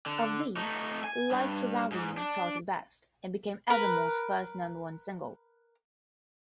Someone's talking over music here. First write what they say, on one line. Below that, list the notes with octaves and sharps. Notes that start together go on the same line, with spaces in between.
Of these, "Light Surrounding You" charted best, and became Evermore's first number one single.
D3
A3 D#4
G#5
G2
G#2
D4
A#4 B4